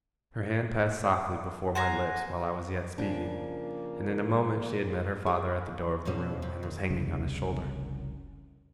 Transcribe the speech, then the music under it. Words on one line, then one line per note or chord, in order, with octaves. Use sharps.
Her hand passed softly before my lips while I was yet speaking, and in a moment she had met her father at the door of the room, and was hanging on his shoulder.
C5 F#5 G#5 A#5
C#3 F3 A#3 D4
G#4
F2 B2 C#4
F2
D#2
F1 C2 C#3